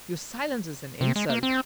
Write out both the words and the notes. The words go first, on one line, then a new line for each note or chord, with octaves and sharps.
"Your silence is an insult!"
C3
G#3
A#3
C4